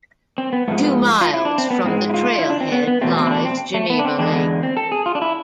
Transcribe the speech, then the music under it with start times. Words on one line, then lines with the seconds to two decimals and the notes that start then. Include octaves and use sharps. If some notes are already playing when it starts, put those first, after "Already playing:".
Two miles from the trailhead lies Geneva Lake.
0.38 C4
0.53 B3
0.68 G#2 F3 G#3 A3
0.83 B3
1.21 F4
1.34 E4
1.45 D4
1.58 C4
1.70 B3
1.84 G#2 G#3 C4
2.09 E4
2.14 F4
2.39 E4
2.50 D4
2.61 C4
2.72 B3
2.88 B3
3.01 E2 B2 A3 C4
3.17 C4
3.27 E4
3.31 D4
3.45 C4
3.74 A3
3.90 B3
3.99 D4
4.05 C4
4.19 E2 D3 G#3 D4
4.33 B3
4.63 C4
4.77 A4
4.92 G#4
5.06 F4
5.15 D4
5.22 E4